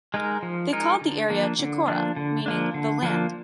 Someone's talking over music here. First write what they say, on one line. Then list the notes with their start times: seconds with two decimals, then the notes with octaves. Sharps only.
They called the area "Chicora", meaning "the land".
0.14 G#3 D#4 A#4
0.43 F3
0.72 G#3 D#4 A#4
1.01 D3
1.30 F3 A#3 D4
1.59 D3
1.88 F3 A#3 D4
2.16 D3
2.46 F3 A#3 D4
2.74 D3
3.02 F3 A#3 D4